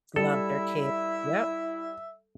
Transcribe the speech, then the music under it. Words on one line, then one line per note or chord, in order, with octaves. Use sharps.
Love their kid. Yep.
G3 E4 A4 E5